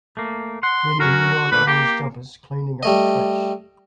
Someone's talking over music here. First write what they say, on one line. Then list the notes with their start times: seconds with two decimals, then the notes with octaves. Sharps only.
Men in neon orange jumpers cleaning up trash.
0.17 A3 A#3
0.63 F#5 C6
1.00 F#3 C#4 F#4 A#4
1.52 A#2 D3 A3 B4
1.67 A#3 G4
2.83 G3 A3 D#5